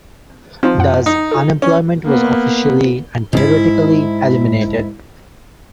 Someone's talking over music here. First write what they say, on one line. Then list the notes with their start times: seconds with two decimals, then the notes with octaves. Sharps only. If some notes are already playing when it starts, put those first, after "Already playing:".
Thus unemployment was officially and theoretically eliminated.
0.63 F3 C4 D#4 C5
0.78 F#2 F#5
1.06 D#4
1.31 F4 A4
1.62 C#4
2.05 A#3 B3
3.33 G#2 E4